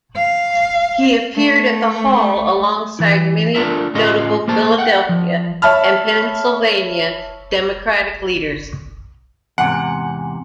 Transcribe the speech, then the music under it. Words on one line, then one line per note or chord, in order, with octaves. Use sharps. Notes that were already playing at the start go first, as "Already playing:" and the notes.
He appeared at the Hall alongside many notable Philadelphia and Pennsylvania Democratic leaders.
F5
A3
E3 E4
A3 D4 F4 A#4 E5
A2 C#4 F4 G#4 D#5 F5
A#3 C5 A5
F#5 G5
F3
C#5 E5 A5 B5 F6
E2 G#2 C3 F#5